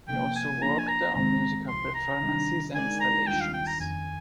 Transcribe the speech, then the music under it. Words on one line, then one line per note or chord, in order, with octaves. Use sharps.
He also worked on musical performances and installations.
C3 F3 A#3 G5
G#5
F3 A#3 D4 F4 A#5
G#5
A#5
A#1 G#2 D#3 G#3 C4 A#5
C2 C3 F3 C6
A#5
C3 D#3 G3 D4
D3 G#3 D#4 A#4 D5 G#5
A#5
D#2 D#3 G3 D4 F4 G5
F5
G5
A#5
G1 F2 D#3 G#5